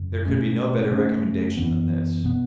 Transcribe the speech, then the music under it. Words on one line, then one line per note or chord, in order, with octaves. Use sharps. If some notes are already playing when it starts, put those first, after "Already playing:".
There could be no better recommendation than this.
Already playing: F#2 C#3
B2 A3 C#4
C#3 A3 C#4
F#2 E3 B3
B2 B3